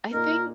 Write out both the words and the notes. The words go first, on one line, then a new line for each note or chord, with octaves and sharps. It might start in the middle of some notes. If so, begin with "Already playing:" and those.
I think
A#2 A#3 D#4 A#4